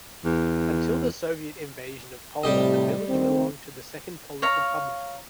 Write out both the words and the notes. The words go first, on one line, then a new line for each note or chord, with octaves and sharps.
Until the Soviet invasion of Poland the village belonged to the Second Polish Republic.
E2
A2 C3 G3 G4 D#5
D2 D#3 C4
C#5 F5 A#5